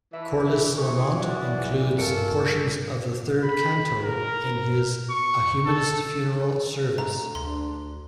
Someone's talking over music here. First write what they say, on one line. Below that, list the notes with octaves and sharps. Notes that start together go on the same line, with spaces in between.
Corliss Lamont includes portions of the third canto in his "A Humanist Funeral Service".
E3 D4 E4 E5
G#4 A#4 C#6
F#3 F#4 D5
A#1
G2 F4 A4 A#4 C#5 C#7 D7
B5
A#4
C#6
A4
D3 A3 A#5
D2 D4 C6